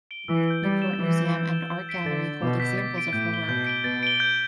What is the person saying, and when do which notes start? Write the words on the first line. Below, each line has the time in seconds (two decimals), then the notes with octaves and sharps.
Newport Museum and Art Gallery hold examples of her work.
0.11 D7 G7
0.28 E3 E6
0.46 G6 D7 G7
0.63 G3 A6
0.82 E7 G7
1.00 E3 E6
1.17 G6 E7 G7
1.36 G6
1.53 E7 G7
1.70 G6
1.89 B6 D7 G7
2.06 D3 A6
2.24 G7
2.42 B2 D6
2.60 G6 B6
2.78 A6
2.96 D7 G7
3.13 A2 G6
3.32 D7 G7
3.49 B2 G6
3.66 D7 G7
3.84 B2 A6
4.03 D7 G7
4.20 G6